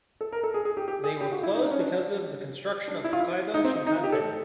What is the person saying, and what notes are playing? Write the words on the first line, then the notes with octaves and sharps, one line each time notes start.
They were closed because of the construction of Hokkaido Shinkansen.
A4
A#4
A4
G#4
G#4
G4
G4
G#4
G4
F#4
F4
E4
D#4
D4
C#4
D4
D4
E4
F4
E4
D#4
C4
D#4
D#4
F4
G4
A4